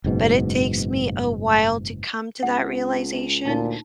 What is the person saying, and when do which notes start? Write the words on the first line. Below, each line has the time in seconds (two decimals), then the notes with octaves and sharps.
but it takes me a while to come to that realization.
0.04 F#1 G#2 B2
2.43 C#2 F#5
3.45 D2 A#2 D#4 A5